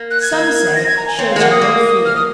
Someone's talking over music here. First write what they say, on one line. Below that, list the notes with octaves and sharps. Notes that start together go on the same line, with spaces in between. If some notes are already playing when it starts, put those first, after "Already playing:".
Some say "it shows you're no fool."
Already playing: A#3
F#6
G#6
A#3
A#6
G#6
A#5
G#5
C4 C#5
F5
G#3
A#3 F#5
D#6
A#3
F6
D#6